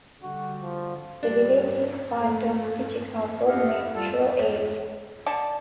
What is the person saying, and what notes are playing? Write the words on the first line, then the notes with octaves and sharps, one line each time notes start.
The village is part of the Chicago metro area.
D3 G3 F#4
F3
G3 D4
A3
E4 G4 B4 D#5 F5 F#5
G3 F4 A4
C#5
D3 A5